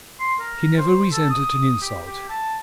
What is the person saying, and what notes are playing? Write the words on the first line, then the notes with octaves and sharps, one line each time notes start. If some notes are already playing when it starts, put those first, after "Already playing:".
He never resented an insult.
C6
A#4
C5
A4
D#6
G4
G4
A5